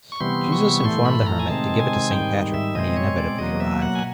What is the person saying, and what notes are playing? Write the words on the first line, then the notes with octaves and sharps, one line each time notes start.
Jesus informed the hermit to give it to Saint Patrick when he inevitably arrived.
C#6
C3 E3 G3 B3 C6
C#6
A2 E3 A3 C6
B5
A#5
G#5
C3 D#3 G#3 C4 A5
G#5
G#2 D#3 G3 G5
E5
B2 G#3 C4 D#5
C#5
D5
B2 F#3 A#3 D#5
E5
F#5
G#5